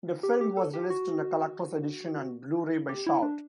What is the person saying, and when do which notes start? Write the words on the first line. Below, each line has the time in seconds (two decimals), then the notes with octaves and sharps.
The film was released in a Collector's Edition on Blu-ray by Shout!
0.23 G4
0.41 G4
0.57 A4
0.74 G4
0.90 F#4
2.89 G4
3.07 E4
3.23 D4